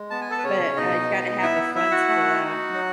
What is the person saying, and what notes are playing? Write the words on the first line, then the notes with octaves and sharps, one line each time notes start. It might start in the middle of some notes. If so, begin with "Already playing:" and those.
but uh you gotta have the funds for that.
Already playing: G#3
B3 A5
G#5
A4 A5
B4
C#3 C#4 C#5
B2 D#4 D#5
B3
E4 E5
E4 E5
F#4 F#5
A3
D#4
F#3